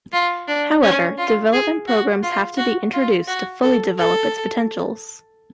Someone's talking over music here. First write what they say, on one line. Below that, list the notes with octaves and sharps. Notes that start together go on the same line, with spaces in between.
However, development programs have to be introduced to fully develop its potentials.
F4
D4
C#4
F4
G#4
F#4
F4
F#4
F4
F#4
A4
A4